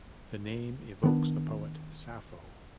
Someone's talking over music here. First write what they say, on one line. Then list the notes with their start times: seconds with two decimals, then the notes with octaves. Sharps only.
The name evokes the poet Sappho.
1.03 D#3 B3 D4